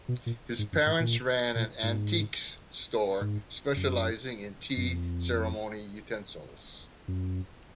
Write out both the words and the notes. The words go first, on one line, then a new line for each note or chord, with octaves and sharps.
His parents ran an antiques store specializing in tea ceremony utensils.
B2
A#2
G#2
F#2
G#2
A#2
A#2
G#2
G#2
F#2
F#2
F2
F#2